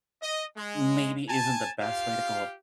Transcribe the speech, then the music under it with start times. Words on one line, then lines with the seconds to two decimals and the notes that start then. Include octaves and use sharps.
maybe isn't the best way to go
0.21 D#5
0.56 G#3
1.28 G#5 A5
1.80 F4 G4 F5